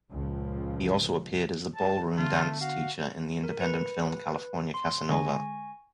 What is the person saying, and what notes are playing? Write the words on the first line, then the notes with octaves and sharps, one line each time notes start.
He also appeared as a ballroom dance teacher in the independent film "California Casanova".
C#2 A#2 F3
A5
D3 A3 B3 F4
F#4 F5
A#4
B4
C6
D3 G#3 G#5 C#6 A#6